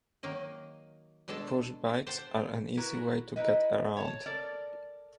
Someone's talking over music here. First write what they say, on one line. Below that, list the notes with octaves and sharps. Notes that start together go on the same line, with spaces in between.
Push bikes are an easy way to get around.
D#3 F#3 A#3 D#5
B2 G#3 D4 A4 A5
G4 C5 F#5 G5 A5
E4 F#4 A#4 B4
D#4 E4 B4 D#5
C#5 A5
A4 A#4 D5